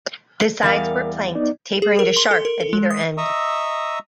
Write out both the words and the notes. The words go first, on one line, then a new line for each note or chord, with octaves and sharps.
The sides were planked, tapering to sharp at either end.
E2 G3 A#4 F5
B3 D#4 D5
G#4
A#4
C6
A4
A#4
A4
G#3
D#6
D#5 E5 A#5 C#6 D#6 E6